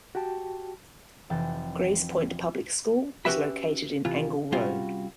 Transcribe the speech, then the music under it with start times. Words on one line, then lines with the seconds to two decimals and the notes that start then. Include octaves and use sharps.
Grays Point Public School is located in Angle Road.
0.15 F#4 G4 G5 A5
1.30 F1 E3 G5 A6
3.25 C#4 F#4 G4 B4 E5 B5
4.05 C3 E3 F4
4.52 C3 G3 C#4 F4 F#4